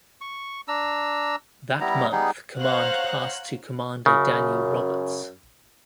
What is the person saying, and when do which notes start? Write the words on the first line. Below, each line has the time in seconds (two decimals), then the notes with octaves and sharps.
That month command passed to Commander Daniel Roberts.
0.21 C#6
0.68 D4 A#5 E6
1.81 G3 B3 E4 A#5
2.12 G3 B3 D#4 G#4
2.59 C5 C#5 F5 F#5 A#5 F#6
4.06 F#2 C#3